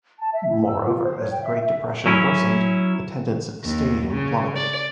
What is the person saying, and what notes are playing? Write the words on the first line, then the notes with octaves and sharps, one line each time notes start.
Moreover, as the Great Depression worsened, attendance at the stadium plummeted.
A5
E5
E4
E6
F4
C5
C#5
G5
E5
E5
F#3 C#4 E4
D#2
C#3
D5